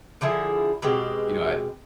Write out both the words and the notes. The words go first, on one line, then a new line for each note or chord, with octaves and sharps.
you know, I
D3 F3 E4 G#4
B2 G#3 C4 G4